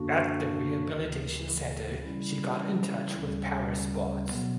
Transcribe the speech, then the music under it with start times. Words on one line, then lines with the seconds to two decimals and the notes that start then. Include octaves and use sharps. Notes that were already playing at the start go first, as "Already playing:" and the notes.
At the rehabilitation center she got in touch with para sports.
Already playing: F#2 D3 A#3 D4 F#4
0.86 D2 C#3 E3
2.00 C#3 E3 G3 C#4 E4
3.12 D2 C#3 G3 C#4
4.26 B2 F#3 B3